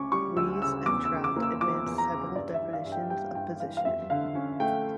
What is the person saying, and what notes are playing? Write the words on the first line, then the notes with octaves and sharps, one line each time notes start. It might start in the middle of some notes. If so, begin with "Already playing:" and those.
Ries and Trout advanced several definitions of positioning.
Already playing: D2 C#3 C#4 C#6 D6
G3 C#6
D2 E6
C#3 E6
E2 D6
E6
C#3
D6
A#3
E6
F3 D6
E2
A#5
C#3
G2 D5
E5
E3
F5
G2
G5
G3 G5
G2 G5
E3 F5
F5
F2 E5
D3 F5
C#4
A3 G5